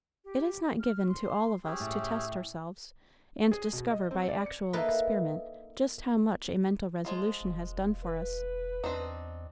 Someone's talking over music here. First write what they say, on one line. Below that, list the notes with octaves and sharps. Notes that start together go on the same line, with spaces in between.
It is not given to all of us to test ourselves, and discover by actual experiment just how much a mental resolution has done for us.
G4
F6
C6
C#4 G4 G#4 E6
A2
G#4
B2
D#5
C4
D5
C#7
A#3 D#4 E4 A4 B4
F3 G#3 F4
E1
B4
E2 C4 D4 D#4